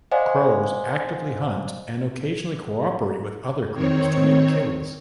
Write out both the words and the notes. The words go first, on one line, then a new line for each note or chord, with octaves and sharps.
Crows actively hunt and occasionally co-operate with other crows to make kills.
C5 D5 D#5 F5 F#5 G#5
D#3 C4 C#5